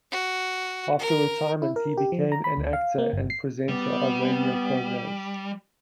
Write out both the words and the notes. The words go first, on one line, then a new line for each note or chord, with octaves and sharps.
After retirement, he became an actor and presenter of radio programs.
F#4
A#4
E4
A#4
G4
F3
A#5
B5
D2
F5
A#3
G1
C7
G3 B3